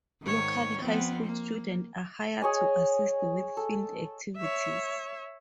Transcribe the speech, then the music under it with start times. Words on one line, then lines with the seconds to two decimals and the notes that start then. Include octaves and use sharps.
Local high school students are hired to assist with field activities.
0.22 G#2 D#3 C#5
0.81 F2 B3 C4
1.25 A#3
2.41 G#4 C#5 D#5 G#5
3.57 A4
4.37 C#5 E5